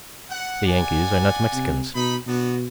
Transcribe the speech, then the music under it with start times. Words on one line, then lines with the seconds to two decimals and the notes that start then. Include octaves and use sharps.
The Yankees are not Mexicans.
0.30 F#5
0.65 D5 F#5 G#5
1.53 C3
1.95 B2 D#4 B5
2.27 B2 B3 D4 F#4